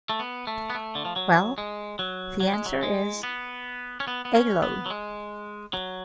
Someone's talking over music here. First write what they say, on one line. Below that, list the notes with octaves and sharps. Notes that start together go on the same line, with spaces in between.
Well, the answers is... A lo.
A3
B3
A3
B3
A3
D3
F3
F#3
G#3
F#3
F#3
G#3
F#3
G#3
B3
C#4
B3
B3
C#4
B3
F#3
G#3
F#3